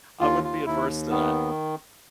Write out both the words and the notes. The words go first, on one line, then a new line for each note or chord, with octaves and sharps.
I wouldn't be adverse to that.
D#2 F4
F4
D#2 E4
D#3 B3